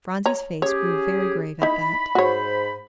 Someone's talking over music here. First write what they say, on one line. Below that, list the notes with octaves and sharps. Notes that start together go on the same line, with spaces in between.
Phronsie's face grew very grave at that.
C#5 A#5
C#4 G4 G#4 C#5
D#4 E4 B5
G#2 F#4 C5 C#5 B5